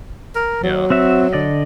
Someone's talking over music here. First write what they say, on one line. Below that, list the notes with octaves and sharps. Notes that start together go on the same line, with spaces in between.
you know
A#4
F#3
C4 F#4 E5
D3 D5 D#5